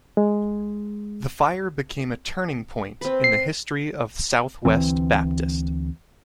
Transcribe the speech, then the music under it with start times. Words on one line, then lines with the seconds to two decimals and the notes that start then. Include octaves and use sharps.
The fire became a turning point in the history of Southwest Baptist.
0.17 G#3
3.01 C4 B4
3.24 C7
4.65 D2 E3 C4